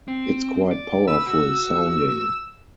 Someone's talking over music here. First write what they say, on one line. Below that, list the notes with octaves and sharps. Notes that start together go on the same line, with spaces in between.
It's quite powerful sounding.
C4
D5
B4 E6
F#4